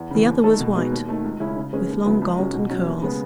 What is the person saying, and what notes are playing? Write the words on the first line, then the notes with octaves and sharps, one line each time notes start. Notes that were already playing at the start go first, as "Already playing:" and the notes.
The other was white, with long golden curls.
Already playing: E2
C#3 E3
D#2
D#3 A3 D#4 A4
B2
G#3 B3 D#4 F#4
D#2
D#3 A3 D#4
C#2
C#3 G#3 C#4 E4
C#3
G#3 C#4 G#4 B4
D#2
C#3 F#3 B3 E4
C#2
C#3 G#3 C#4 F#4
B2
F#3 C#4
D#2
C#3 G#3 B3